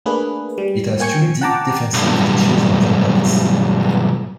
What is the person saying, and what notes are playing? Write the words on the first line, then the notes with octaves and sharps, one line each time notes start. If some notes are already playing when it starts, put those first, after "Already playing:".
It has two deep defensive ditches and ramparts.
A3 A#3 D4 G#4 B4
G3
A#3 G5 G#5 C#6 G#6 C#7
F3
F#5 G5 A5 A#5 D6
B1 G2